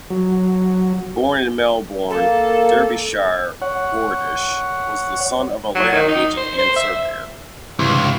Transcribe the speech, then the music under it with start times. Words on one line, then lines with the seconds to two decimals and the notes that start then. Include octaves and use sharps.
Born in Melbourne, Derbyshire, Ordish was the son of a land agent and surveyor.
0.10 F#3
2.10 A#3 A4
3.62 C#5 F#5
5.75 F#3
5.93 D#3
6.08 D#4
6.37 C5
6.58 C5
6.76 E5
7.79 C#2 G2 C3 E3